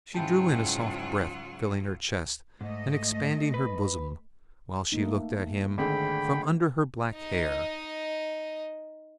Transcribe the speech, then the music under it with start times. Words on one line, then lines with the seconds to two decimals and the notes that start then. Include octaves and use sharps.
She drew in a soft breath, filling her chest and expanding her bosom, while she looked at him from under her black hair.
0.15 G#2 C#3 F#3 E4 F4 G5 A5
2.61 G#2 A3 D#5
3.54 B4
4.92 A3 A#3 D#4
5.78 G#1 D3 A3 G#4 G5 B5
7.13 D#4 D#5